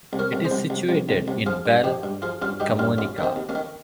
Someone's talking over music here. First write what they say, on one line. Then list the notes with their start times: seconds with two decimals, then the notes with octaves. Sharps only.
It is situated in Val Camonica.
0.13 C2
0.19 A#4 C#5
0.32 C2
0.44 G#4 C5
0.51 C2
0.70 C2
0.89 C2
1.09 C2
1.28 C2
1.46 F3 F4 G#4
1.66 G2
1.84 F3 D#4 G4
2.03 G2
2.22 F3 F4 G#4
2.42 G2 C#4 F4
2.60 G2 D#4 G4
2.79 G2 C#4 F4
2.98 D#2 C#4 F4
3.18 D#3
3.23 C4 D#4
3.36 D#2
3.49 A#3 C#4
3.55 D#3